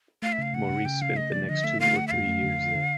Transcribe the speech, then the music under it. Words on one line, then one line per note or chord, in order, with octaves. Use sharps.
Maurice spent the next two or three years there.
A3 F5
E5
C#3 F5
C#3 F#5
C#3
C#3 G5
C#3 F5
A3 D#5
F3 D5
D3 D#5
A3 E5
A3 F5
A3 F#5
E5
F2 F5
A3
D3
D3
D3